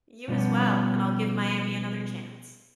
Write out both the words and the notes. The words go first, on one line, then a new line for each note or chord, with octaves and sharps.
You as well, and I'll give Miami another chance.
B2 F3 G3 B3 C#4